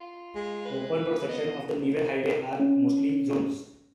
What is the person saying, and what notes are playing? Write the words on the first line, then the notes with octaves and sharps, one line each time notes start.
Open road sections of the Newell Highway are mostly zones.
F4
G#3
B4
B3 D#5
C#4